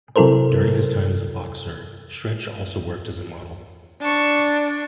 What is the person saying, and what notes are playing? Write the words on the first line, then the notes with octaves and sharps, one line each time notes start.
During his time as a boxer, Stretch also worked as a model.
C3 F#3 E4 A4 A#4 C5
D4 A5 C#6